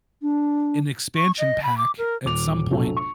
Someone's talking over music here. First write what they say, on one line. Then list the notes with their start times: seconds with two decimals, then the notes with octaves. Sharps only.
an expansion pack at some point
0.22 D4
1.16 C#6
1.39 D#5
1.63 B5
1.78 D6
1.98 A#4
2.25 D#1 D6 F7
2.70 F1 A#1 F#3 A4
2.97 C#6